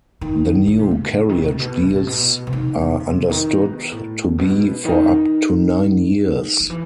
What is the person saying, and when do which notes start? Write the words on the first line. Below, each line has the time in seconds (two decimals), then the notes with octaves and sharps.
The new carriage deals are understood to be for up to nine years.
0.21 D#3
0.67 D#3
0.79 C3
0.91 D#3
1.14 C3
1.29 D#3
1.37 C3
1.52 A2
1.60 B2
1.83 C3
1.95 A2
2.07 B2
2.47 C3
2.53 D#3
2.99 C3
3.31 D#3
3.61 B2
3.92 A2
4.38 B2
4.85 D#3
6.60 D#3
6.70 E3